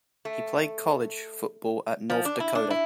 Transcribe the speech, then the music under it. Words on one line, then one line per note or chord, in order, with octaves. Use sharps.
He played college football at North Dakota.
A3
F3
D4
E4
D4
E4